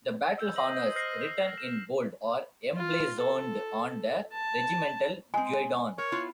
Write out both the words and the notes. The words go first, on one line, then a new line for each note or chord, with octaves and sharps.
The battle honours written in bold are emblazoned on the regimental guidon.
E6 G6
C5 D#5 F#7
F6 A#6 C7
A#6 E7
F4
A4
A5
G#3 C4 G#5
A#4 C#5
B3 E4 F4